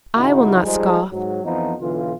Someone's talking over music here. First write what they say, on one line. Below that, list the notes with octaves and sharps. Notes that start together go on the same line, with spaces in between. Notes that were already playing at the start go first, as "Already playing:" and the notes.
I will not scoff.
G#1 C#3 D#4 E4 F#4
F3 G3 G#3 D#4 G#4
G#2 F#3
F2 E3 F3 B3 D#4
B1 D3 E3 F4